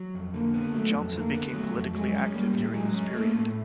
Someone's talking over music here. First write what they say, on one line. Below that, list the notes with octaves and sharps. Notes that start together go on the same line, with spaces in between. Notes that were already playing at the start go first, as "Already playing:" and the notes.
Johnson became politically active during this period.
Already playing: F#3
F2
D3 A#3
B3
F#3 A3
F2
D3 A#3
B3
F#3 A3
F2
F#3 G#3
C#4
G3 A#3
A2
F#3 G#3
C#4
A3 A#3
A2